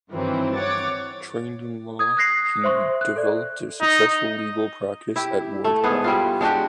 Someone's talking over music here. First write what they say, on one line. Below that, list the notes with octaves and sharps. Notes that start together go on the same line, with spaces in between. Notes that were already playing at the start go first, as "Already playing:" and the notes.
Trained in law, he developed a successful legal practice at Wardha.
G2 D#3 E3 F#3 C4
C#5 F#5 D6 A6
D#6 G#6
D#6 F#6 A#6 C7
C5 E5 C6 C#6
F#6
A4 D5
D#4
E4 G4
A3
G#2 B3 G#4
G3 E4 F4
G#3 D4 F#4 G4